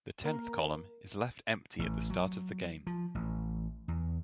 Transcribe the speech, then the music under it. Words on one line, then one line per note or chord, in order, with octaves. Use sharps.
The tenth column is left empty at the start of the game.
A#3 A#4
A1
F#3
F3
A1
E2